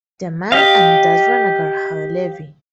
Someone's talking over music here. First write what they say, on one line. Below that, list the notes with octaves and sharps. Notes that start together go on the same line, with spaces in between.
Daman and Dadra-nagar haveli.
G4 D#5 F5